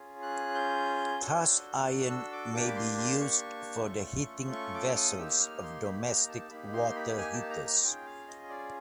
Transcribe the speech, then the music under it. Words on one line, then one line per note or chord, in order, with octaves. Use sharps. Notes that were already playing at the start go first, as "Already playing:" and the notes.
Cast iron may be used for the heating vessel of domestic water heaters.
Already playing: C#4 F4 G#4
F#6
G6
D4 F#4 A4
F#6
E6
D6
A#3 D4 G4 D6
B5
C6
C6
C#6
A3 C#4 F4 A4
C#6
D6
D#6
A#3 D#4 G4 E6
F6
C6
B5
A#5
A5
A#3 D#4 G4 B5
C6
B5
G#5
A5
A#5
A#5
C#4 F4 G#4 G5
F5
D#5
D5